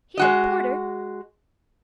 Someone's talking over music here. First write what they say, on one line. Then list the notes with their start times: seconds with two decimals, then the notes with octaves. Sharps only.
Here, porter!
0.17 G#3 F#4 D#5